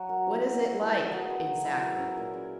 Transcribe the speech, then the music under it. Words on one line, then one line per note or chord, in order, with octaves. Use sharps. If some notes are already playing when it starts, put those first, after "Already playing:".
"What is it like--exactly?"
Already playing: F#3 F#4
A#4
E3
E4
A#3
E4
G#4
F#4
B4
F#3
E4
A#4
C#4
A#2
G#4